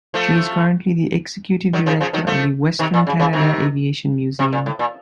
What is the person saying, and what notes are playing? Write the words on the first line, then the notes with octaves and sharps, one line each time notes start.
She is currently the executive director of the Western Canada Aviation Museum.
F3 A3
D#3 F#3
C#3 F3
C#3 F3
D#3 F#3
F3 A3
C3 D#3
A#2
C#3
C#3 F3
C3 D#3
C3
A#2
A2
A#2